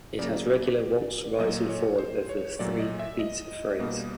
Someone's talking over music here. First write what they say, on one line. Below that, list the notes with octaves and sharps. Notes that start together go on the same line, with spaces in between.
It has regular waltz rise and fall over the three beat phrase.
C#3 F#3 A#3 D5
A#2 F#3 A#3 D#5
C#5
C5
C#5
A#2 F#3 A3 D5
D#5
E5
D#5
B2 G3 A#3 D#5